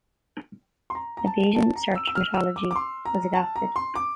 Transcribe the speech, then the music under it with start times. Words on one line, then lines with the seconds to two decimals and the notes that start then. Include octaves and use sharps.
A Bayesian search methodology was adopted.
0.90 C6
0.95 A#5
1.17 A#5
1.26 A5
1.55 A5
1.76 A#5
1.95 E6
2.07 E6
2.15 F6
2.36 E6
2.56 D6
2.71 D6
2.76 C6
3.05 A#5
3.35 A5
3.56 A#5
3.76 C6
3.95 D6